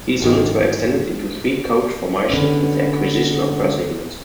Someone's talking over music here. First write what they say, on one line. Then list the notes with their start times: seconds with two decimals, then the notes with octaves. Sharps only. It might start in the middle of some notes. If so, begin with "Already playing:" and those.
These units were extended into three-coach formations with the acquisition of further units.
0.22 G#1 E2 D#3
2.30 D3 B3 C#4